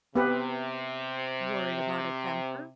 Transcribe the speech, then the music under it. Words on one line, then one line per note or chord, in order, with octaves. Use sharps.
Worried about a temper?
C3 B3 G4 B4